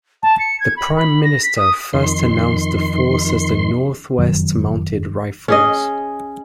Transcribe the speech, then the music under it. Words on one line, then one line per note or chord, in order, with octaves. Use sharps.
The Prime Minister first announced the force as the "North West Mounted Rifles".
A5
C#7
G#6
B5
B5
A#6
B6
D#6
F2 D#3 C6
F1 F#2 D#3 F#3
C#4 G#4 D#5